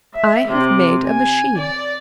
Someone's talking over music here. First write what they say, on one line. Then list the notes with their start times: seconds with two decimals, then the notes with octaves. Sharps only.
"I have made a machine!"
0.14 E5
0.48 C3
1.06 G#5
1.58 D5